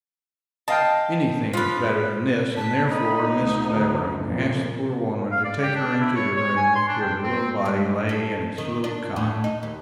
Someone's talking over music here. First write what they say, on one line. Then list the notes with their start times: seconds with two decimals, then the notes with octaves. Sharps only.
Anything was better than this, and therefore Mrs. Clavering asked the poor woman to take her into the room where the little body lay in its little cot.
0.68 D#5 F5 G5 A5
1.53 F3 F4 B4
2.56 A5 B6
2.88 D#4 B5
3.37 D2
4.22 F2 A#2
5.32 F5
5.45 D5
5.63 G4
5.76 D4
6.01 E4
6.15 C#5
6.37 C#5
6.56 G#5
6.76 C6
6.88 D4
7.01 G5
7.24 C4
7.66 G#2
8.09 A4
8.58 D#3
8.84 D4
9.16 A2
9.44 D#4
9.63 D#2